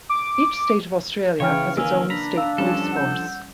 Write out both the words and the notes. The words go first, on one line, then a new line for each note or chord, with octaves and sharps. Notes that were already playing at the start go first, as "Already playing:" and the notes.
Each state of Australia has its own state police force.
D6
C#3 E3 C#5 F5 G5 F6
D#3 A#3 C#4 G#5 E6 F6
D4 A#5 B5
F5 E6
F3 G3 C#4 A4
F#5 E6 G6